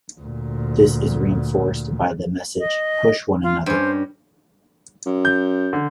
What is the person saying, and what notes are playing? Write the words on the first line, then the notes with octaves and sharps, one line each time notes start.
This is reinforced by the message Push One Another!
D2 A#2
D#5
F4
G2 C#4 C5
F#2
G6
D3